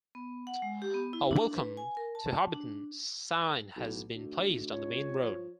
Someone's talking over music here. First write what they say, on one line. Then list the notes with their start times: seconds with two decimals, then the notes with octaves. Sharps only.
A "Welcome to Hobbiton" sign has been placed on the main road.
0.15 B3
0.47 F#5
0.62 G#3
0.82 G4
0.94 B3
1.13 E4
1.31 D4
1.56 B4
1.77 G#5
1.97 A#4
2.15 A5
2.54 D4
3.76 B1
4.15 D2
4.71 C#2 C#5
5.23 F3